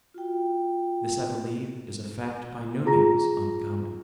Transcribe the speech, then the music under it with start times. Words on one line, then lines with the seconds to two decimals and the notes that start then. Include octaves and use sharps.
This, I believe, is a fact by no means uncommon.
0.14 F4 F#4 G5
2.85 F4 G#4 A#5 A#6